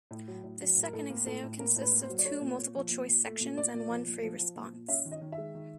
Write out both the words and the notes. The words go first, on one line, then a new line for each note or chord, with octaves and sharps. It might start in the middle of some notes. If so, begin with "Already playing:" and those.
This second exam consists of two multiple-choice sections and one free response.
A2
F#3
A2
F#3
A2
A#4
A2 A4
A#3
A2 A4
A2
A#3 A#4
A2
B4
A#3
C5
F#3
D5
A3 C#5
A#2
A#2
F3
A#2
A#2
A3
A#2
A#2 D5
A#2
F3
A#2
F3
F3
A#2
A#2
C#4 E5
D#3
D#5
D#3
E5
G#3
D#3